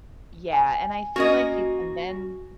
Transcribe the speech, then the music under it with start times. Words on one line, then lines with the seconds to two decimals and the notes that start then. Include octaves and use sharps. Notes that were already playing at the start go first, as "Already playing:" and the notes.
Yeah, and I feel like you can then
0.53 G#5
1.16 A#3 C#4 F#4 D#5